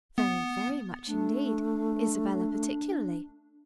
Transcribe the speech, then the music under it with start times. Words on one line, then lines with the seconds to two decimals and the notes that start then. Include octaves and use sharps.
"Very, very much indeed: Isabella particularly."
0.18 B3
1.07 A3 D4